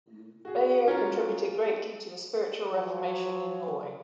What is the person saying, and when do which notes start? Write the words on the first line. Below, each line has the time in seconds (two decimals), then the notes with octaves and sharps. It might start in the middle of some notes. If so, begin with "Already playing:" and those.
Beyer contributed greatly to the spiritual Reformation in Norway.
0.45 F#4 G#4
0.88 C#4 F4 F#4 G#4 A#4
2.72 F3 F#3